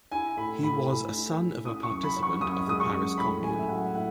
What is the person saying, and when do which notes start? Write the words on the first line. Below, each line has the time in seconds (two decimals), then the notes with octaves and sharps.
He was a son of a participant of the Paris Commune.
0.12 E4 G#5
0.37 A2 B5
0.62 A2 B5
0.88 A2 B5
1.14 E4
1.39 E4
1.65 C#4 D#6
1.83 C#6
1.91 F#2
2.03 B5
2.16 C#4
2.23 C#6
2.41 F#2 D#6
2.67 G#3 D#6
2.80 C#6
2.92 F#2
3.17 A2 B5
3.44 A2 G#5
3.59 E5
3.69 F#3 F#5
3.87 E5
3.95 A2 F#5